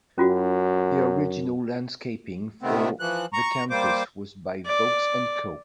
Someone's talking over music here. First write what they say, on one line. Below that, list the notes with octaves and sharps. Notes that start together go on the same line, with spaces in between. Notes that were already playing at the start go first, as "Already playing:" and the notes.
The original landscaping for the campus was by Vaux and Co..
F#2 C#4 F4 F#4
C3 D#3 A3 B3 C4
E3 F3 F#6
A#5 C#6
G3 A#3 C5 D6
D5